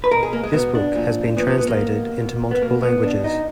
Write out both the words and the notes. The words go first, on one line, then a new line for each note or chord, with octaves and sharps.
This book has been translated into multiple languages.
B4
B2 A#4
G#4
A#3
G#3
B2 B3
D4
A#2 F3
A#2 F3 B3
B3
B3
A#3
B2
B2
B3
B2 A#3
B3
B2 D4
D#4